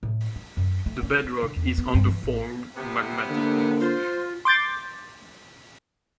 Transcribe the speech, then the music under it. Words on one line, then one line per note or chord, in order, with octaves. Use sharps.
The bedrock is undeformed magmatic rock.
A2
G#3
F#2
A3
C#4
G#3
D3
E2
B3
G2
E3
A1
C3 B3
D3 A#3
F4 C5
C6 D6 G6 A6